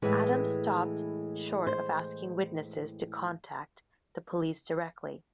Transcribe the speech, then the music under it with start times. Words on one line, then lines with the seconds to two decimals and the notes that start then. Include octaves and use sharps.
Adams stopped short of asking witnesses to contact the police directly.
0.02 A2 E3 G#3 B4
1.67 C5